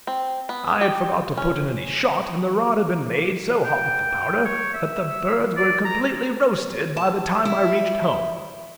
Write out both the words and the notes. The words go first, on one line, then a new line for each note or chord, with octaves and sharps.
I had forgot to put in any shot, and the rod had been made so hot with the powder, that the birds were completely roasted by the time I reached home.
C4
B3
G4
C#4
G5
C#5
E5
D5
A#5
A5
E4